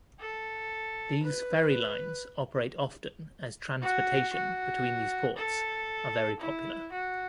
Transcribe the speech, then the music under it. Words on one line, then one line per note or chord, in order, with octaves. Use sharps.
These ferry lines operate often as transportation between these ports are very popular.
A4
B4
F#4
F#4
A4
E4
F#4